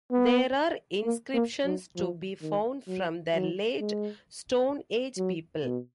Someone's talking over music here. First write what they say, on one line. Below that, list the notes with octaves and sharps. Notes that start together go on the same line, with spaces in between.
There are inscriptions to be found from the late Stone Age people.
B3
A#3
A#3
F#3
F3
D#3
F#3
F#3
G#3
F#3
B2